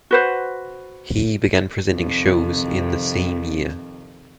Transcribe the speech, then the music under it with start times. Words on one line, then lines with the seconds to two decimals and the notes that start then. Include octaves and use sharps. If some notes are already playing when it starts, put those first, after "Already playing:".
He began presenting shows in the same year.
0.11 F#4 B4 C5
1.92 F2 C3 D#3